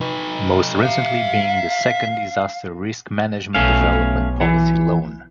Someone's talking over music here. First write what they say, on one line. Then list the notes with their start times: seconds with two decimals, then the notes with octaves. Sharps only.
Most Recently being the Second Disaster Risk Management Development Policy Loan.
0.01 D#4 B4
0.83 E5 F5 A#5
3.55 B1 A3 C#4 F5
4.41 E3